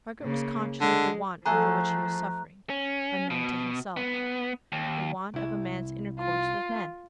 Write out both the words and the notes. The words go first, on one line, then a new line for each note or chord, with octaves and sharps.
Margaret was conscious of the want under which he was suffering, unknown to himself; the want of a man's intercourse with men.
C#3 A#3
D3 G#3
F3 A3 G#4 A4 F#5 A#5 F#6
C#4
B2
B3
D#2
C2 E4
F4